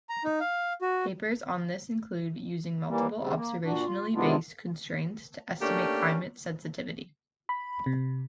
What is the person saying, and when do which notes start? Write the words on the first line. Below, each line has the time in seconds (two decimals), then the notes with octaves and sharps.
Papers on this include "Using multiple observationally-based constraints to estimate climate sensitivity".
0.09 A#5
0.24 D#4
0.40 F5
0.81 F#4
2.87 D#2 E3 G3 A#3
3.18 C#3 G3 C4
3.35 A#3
3.64 A#2 D4 F#4
3.85 F4
4.14 C3 G#3 B3 D4 E4 F4
5.61 A3 A#3 C#4 D4 G4
7.49 B5
7.86 C3